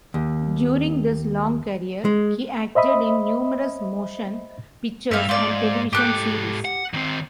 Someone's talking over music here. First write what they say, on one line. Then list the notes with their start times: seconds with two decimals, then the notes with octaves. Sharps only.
During his long career, he acted in numerous motion pictures and television series.
0.14 D#2
2.05 G#3
2.75 C5 D#5 E5 B5 D#6
5.11 G2 E5 F5
5.29 G#2 F4 D5
5.93 G#2 G4 A4 F#6
6.65 F#5
6.94 D#3 C4